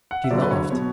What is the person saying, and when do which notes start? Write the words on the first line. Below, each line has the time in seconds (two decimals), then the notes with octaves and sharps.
She laughed.
0.11 F#5
0.24 E5
0.31 F#1 F#2 D3 F#3 D5
0.42 B4
0.51 C#5
0.70 B2 F#3 C#5